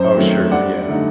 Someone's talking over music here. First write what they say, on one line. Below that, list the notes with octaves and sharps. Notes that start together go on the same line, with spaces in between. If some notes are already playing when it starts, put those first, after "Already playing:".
Oh, sure. Yeah.
Already playing: F#2 C5
D#3 F#3 A3 C4
G2 D5 F#5
D3 A3 D#4